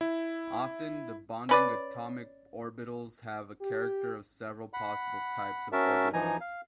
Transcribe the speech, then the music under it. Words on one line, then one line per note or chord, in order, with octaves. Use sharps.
Often, the bonding atomic orbitals have a character of several possible types of orbitals.
E4
C#4 B4 D5
G4
F#5 B5
C#4 F#4 A#4 E5 A5
E3 F3 D#4 G#5 A#5
F5